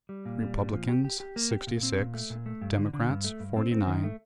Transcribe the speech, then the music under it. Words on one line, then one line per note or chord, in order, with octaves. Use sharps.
Republicans, sixty-six; Democrats, forty-nine.
G3
A#2
G3
A#2
F3
G4
G4
G4
A#3
G4
A#2
C4
A#2
A3
A#2
A3
G2
D3
D3
G2
A3
G2
C4
C4
D#3
A3